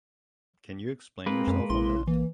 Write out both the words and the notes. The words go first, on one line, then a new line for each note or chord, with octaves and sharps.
Can you explain yourself on that?
G#3 A#3 C4 B4
F#2
A#1 E4 C6
E3 A#3